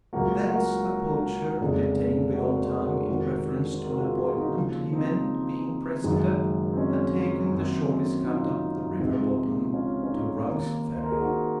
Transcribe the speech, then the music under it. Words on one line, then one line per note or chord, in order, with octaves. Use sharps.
Thence the poacher, detained beyond time in reference to an appointment he meant being present at, had taken the shortest cut up the river bottom to Rugg's Ferry.
C#2 C#3 F#3 A#3 F#4 A#4
F#4 A#4
F1 D#2 C#3 G#3
F#4 A#4
G#4 C5
F#4 A#4
F2 D#3 G#3 F#4 A#4
C5
F#4 A#4
F#4
F4 G#4
F4 G#4
D#4 F#4
D#2 C#3 F3
C4 D#4
F#1 F#2 D#3 G#3
C4
C#4
F#2 D#3 A#3 C4
C4
C#4
D#4
F4
C4 D#4
C#2 C3 F3 G#3 C4 D#4
C#4 F4
C#4
C4 D#4
D#2 D#3 A#3
C5
A#4
G#4
D#4 F#4